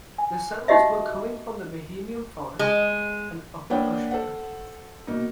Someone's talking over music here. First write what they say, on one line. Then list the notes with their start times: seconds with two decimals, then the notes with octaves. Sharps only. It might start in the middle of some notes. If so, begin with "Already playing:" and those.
The settlers were coming from the Bohemian Forest and Upper Austria.
0.18 G#5
0.68 D#4 F#4 G4 D#5 E5
2.59 G#3
3.70 A#3 D4 B4 C#5 F#5 G5
4.11 A4 C5 F#5
5.07 B2 A#3 D#4